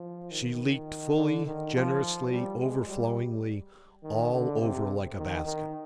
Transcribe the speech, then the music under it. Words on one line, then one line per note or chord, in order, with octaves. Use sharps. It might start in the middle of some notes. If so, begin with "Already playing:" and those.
She leaked fully, generously, overflowingly, all over-- like a basket.
Already playing: F3
D#3
D3
D#3
F3
G3
G#3
G3
D#3
D3
C3
D#3
D#3